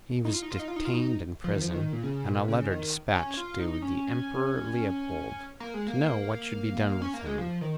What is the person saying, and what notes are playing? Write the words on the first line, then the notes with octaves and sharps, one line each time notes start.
He was detained in prison, and a letter despatched to the Emperor Leopold, to know what should be done with him.
D#4
F4
D#4
F4
D#4
F4
D#4
F4
D#4
F3
D#3
F3
D#3
A#2
C#3
A#2
C#3
D#3
C#4
F4
D#4
C#4
A#3
G#3
A#3
C#4
A#3
G#3
F3
D#3